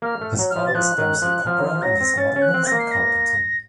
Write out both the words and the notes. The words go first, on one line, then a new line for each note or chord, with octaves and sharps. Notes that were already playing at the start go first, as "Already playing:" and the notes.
His father was Dempsey Cockrell and his mother, Millicent Carpenter.
A#3 F6
A3
F#3
F6
F3
A6
F3 F#6
D#3
F3
F3 F6
F#3
F3
F3
F#3 A#6
C4
C#4 A6
C#4
F#6
C4
C4 A#6
A#3
C7
A#6